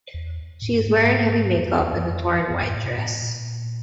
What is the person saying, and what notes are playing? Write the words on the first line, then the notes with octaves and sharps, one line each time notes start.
She is wearing heavy makeup and a torn white dress.
E2
A2
G2
G#2
G#2
F2
E2
F#2
F2
F2
F#2
G#2
A2
B2
A2
A#2